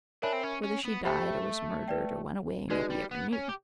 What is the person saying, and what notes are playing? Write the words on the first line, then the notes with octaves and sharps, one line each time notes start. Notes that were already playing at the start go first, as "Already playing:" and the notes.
Whether she died or was murdered or went away nobody ever knew.
D4 A#4 C#5 E5 G#5 B5
C4
C#4
C#4
B3
A3 G4 C5 E5 G5 B5
B4 D5 G5
G#3 D#4 F#4 B4 D5
G3
B3
C#4
G4